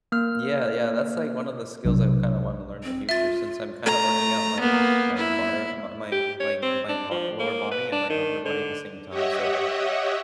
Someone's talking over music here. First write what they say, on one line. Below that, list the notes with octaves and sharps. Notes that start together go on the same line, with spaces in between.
Yeah, yeah, that's like one of the skills I would kinda wanna learn in the future since I'm kinda working out my my bottor m my my my part lower body and my upper body at the same time, so,
A#3 F6
B1 C3 F#3 D4
C4
F4 E5 A6
A3 A#5
A#3 B3
E4
G4
C#5
C4
D4
F3
A#3
B4
D4
D#3
D3
G4 C#5 D#5 E5 F#5